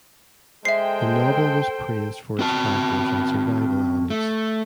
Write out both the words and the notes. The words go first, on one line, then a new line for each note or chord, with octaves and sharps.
The novel was praised for its characters and survival elements.
G#3 A4 C5 E5 G5 C7
C4 F#4 A5
A3